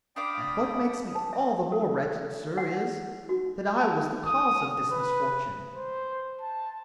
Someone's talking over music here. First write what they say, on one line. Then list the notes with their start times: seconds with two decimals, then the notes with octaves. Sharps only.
"And what makes me all the more wretched, sir, is, that I was the cause of this misfortune."
0.16 D4 D5 F5 G5 B5 D6 D#6
1.15 A5
1.33 E5
1.72 A4
2.57 F#5
3.29 F#4
3.81 A5
4.25 D#6
4.92 B4
5.74 C5
6.41 A5